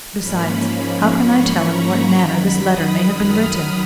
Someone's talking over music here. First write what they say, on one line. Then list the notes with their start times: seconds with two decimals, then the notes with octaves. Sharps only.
Besides, how can I tell in what manner this letter may have been written?
0.19 G#2 F3 A#3 C#4 B5
1.17 C#6
1.66 A#5
2.14 F#2 D#3 F#3 B5
2.64 D#6
3.13 F6